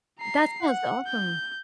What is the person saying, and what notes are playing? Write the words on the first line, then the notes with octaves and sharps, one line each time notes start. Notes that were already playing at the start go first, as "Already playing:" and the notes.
That sounds awesome.
A#5 C7
F#5
G6